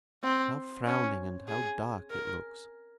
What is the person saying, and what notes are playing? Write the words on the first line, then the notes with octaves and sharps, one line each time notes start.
How frowning and how dark it looks!'
C4
C#4
G#4
A#4